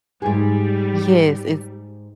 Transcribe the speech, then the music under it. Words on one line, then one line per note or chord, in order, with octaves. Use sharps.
Yes, it's
G#2 G3 G#4